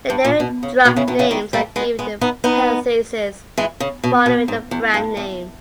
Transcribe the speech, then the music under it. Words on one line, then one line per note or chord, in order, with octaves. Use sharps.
Generic drug names are given in parentheses following the brand name.
G2
A#2
B2
C#3
B2 D#3
C#3 E3
B2 D#3
C#3 E3
D#3 G3
G3 A#3
G#3 B3
G#3 B3
B3 D#4
B3 D#4
E3 G#3
C#3
B2
B2
G#2
E2
G2
E2